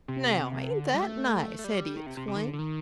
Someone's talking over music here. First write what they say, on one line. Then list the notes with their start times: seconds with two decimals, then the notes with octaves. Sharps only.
"Now ain't that nice," Hetty exclaimed.
0.08 C3
0.71 D3
0.94 G3
1.02 A3
1.59 A3
1.64 G3
1.97 D#3
2.06 C3
2.17 C3
2.28 C3
2.35 D#3
2.43 D3
2.53 D3
2.59 D#3